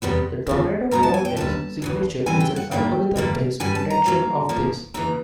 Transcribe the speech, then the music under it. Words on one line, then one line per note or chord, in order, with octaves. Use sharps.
The tornado vortex signature is an algorithm-based detection of this.
E2 C3 D#3 G3 B3
E2 C#3 F3
E2 B2 G#3 A#5
A5
G#5
G5
D#2 D3 G3 A5
D2 C#3 E3
G#2 E3 G3 C4 G#5
G5
F#5
G#2 D#3 G3 A#3 G5
G2 D3 G3 A#3
G2 D3 G3 G#5
A5
A#5
A2 F#3 A#3
G#2 F3 A#3
D#2 C#3 E3 A#5